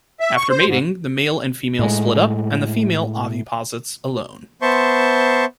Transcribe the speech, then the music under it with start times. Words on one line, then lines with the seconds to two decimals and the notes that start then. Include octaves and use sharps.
After mating the male and female split up and the female oviposits alone.
0.20 E5
0.37 C#6
0.50 C5
0.67 G#2
1.79 A2 G#3
4.62 B3 C5 E5 A5 C6 C#6